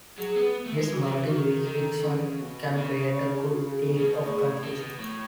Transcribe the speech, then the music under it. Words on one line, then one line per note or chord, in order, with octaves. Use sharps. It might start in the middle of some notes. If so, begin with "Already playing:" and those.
This multi-jurisdiction can create a good deal of confusion.
F#3 G#4
B3
A3
G#3
E3 F#4
F#3
E3
D#3 F#4
D#3 A4
C#3
B2
C#3
C#5
G#4
F#4
G#4
A4
B2 G#4
C#3
B2
A2 G#4
B2
A2